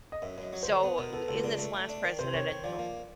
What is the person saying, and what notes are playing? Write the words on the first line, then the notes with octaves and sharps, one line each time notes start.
So, we in this last presidential
D#5
F#2 E5
F#2
D#5
F#3
C5
D3
B3 B4
B2 A#4
B2 A4
C#2 A4
D4
A3
A3
D4
D#3
C3 C5
D#3 C#5
D#3 C#5
F3 D5
A#3